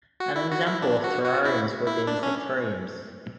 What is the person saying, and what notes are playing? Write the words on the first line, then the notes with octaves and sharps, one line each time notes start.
An example of terrariums would be insectariums.
F#4
E4
F#4
E4
D4
F#4
F#4
E4
E4
D4
C#4